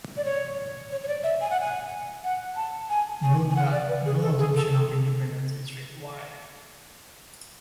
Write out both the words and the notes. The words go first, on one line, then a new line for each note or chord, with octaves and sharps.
Note that no assumption of independence is required.
D5
C#5
C#5
C#5
D5
E5
G#5
F#5
G#5
F#5
A5
G#5
G#5
G#5
F#5
D5
B4
G#4
A4
G#4
A4
A4